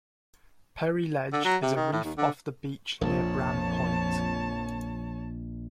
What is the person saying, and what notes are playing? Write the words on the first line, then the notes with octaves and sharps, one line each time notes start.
Perry Ledge is a reef off the beach near Bran Point.
D3
F#3
C3
D#3
A2
D#2
D3
A#1 F2 F3 A#3 C#5 A5